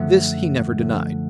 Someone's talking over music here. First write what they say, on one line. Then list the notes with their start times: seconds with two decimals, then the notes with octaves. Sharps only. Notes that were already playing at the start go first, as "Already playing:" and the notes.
This he never denied.
Already playing: F#2 D3 F3 A3 E5 F#5
0.36 F#2
0.79 D3 F3 A3